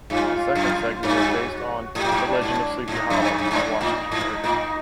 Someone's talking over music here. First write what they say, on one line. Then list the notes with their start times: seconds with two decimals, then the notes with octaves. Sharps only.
The second segment is based on "The Legend of Sleepy Hollow" by Washington Irving.
0.10 G2 F4
0.55 F#2
0.94 F4
1.02 G2 F#4
1.95 G#2 G4
2.04 A2
2.12 G#2
2.26 D4
2.42 G#2
2.57 D4
2.82 D4
2.88 G#2 D#4
3.08 F#2 E4
3.20 G2 D#4
3.38 G2
3.50 G#2 D4
3.75 E4
3.81 A2 D#4
4.12 G#2
4.44 A2